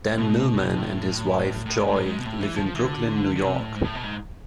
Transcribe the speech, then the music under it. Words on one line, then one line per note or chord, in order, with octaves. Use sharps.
Dan Millman and his wife Joy live in Brooklyn, New York.
B2
A2
A2
G#2
G#2
A2
G#2
B2
A2
E3
F3
F3
E3
D3
D3
C3
A2
G#2
A2
B2
G#2